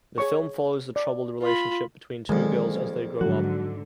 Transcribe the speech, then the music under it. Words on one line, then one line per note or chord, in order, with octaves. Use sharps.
The film follows the troubled relationship between two girls as they grow up.
G#4 C#5 C#6
D5
F4 B5
A#1 F2 D#3 E3 F#3 G#3
G#2 D3 F3 F#3 F#4